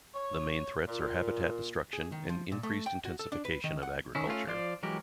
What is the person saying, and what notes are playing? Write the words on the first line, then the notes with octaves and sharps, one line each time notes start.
The main threats are habitat destruction and increased intensification of agriculture.
C#5
A#2
G#4
D#3
F3
A#2
A3
G5
F#4
A4
D4
B4
D#3
F#5
D#3 C#4 E4
A3 C#4 F4
F3 D5 C6
E3 F#3 G#3 G4 A#4